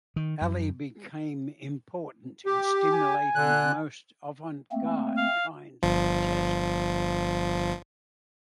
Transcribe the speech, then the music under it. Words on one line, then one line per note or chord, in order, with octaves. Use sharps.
Ali "became important in stimulating the most avant-garde kinds of jazz activities".
D#3
F#2
G4
G#5
D3 F#6
A3 A#3 C4
F5
G1 F3